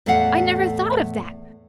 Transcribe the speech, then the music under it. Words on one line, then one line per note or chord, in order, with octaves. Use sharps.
I never thought of that!
E2 A2 A3 D#5 F5 F#5